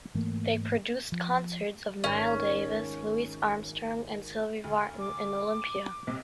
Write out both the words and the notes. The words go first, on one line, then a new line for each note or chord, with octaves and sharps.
They produced concerts of Miles Davis, Louis Armstrong, and Sylvie Vartan in Olympia.
G#2 E3 A3 A#3
F3
G#1 C#4
D2
D6
D#7
B1 C3